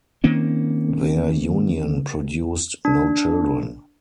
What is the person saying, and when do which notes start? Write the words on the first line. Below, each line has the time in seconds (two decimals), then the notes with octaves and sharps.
Their union produced no children.
0.24 D#3 A#3 C4 C#4
2.85 D4